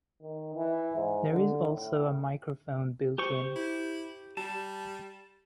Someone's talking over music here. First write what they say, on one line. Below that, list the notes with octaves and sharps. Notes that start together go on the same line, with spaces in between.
There is also a microphone built in.
D#3
E3
G#2
D3
A2
G4 C5 C#6
E4
G3 A5